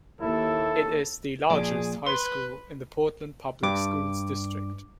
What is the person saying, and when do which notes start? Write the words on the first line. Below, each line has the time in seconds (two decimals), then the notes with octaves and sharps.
It is the largest high school in the Portland Public Schools district.
0.21 D#2 E4 A4
1.50 A#2 F3 G#4 D5
2.06 B4 C6
3.63 G2 D6